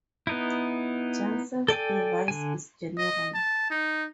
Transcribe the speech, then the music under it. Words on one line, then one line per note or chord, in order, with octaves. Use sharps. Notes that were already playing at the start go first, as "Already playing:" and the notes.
Jensen's device is general.
B3 D#4 E4
A4 D5 G5 G#5
D3 G#5
D#5
A5
D#4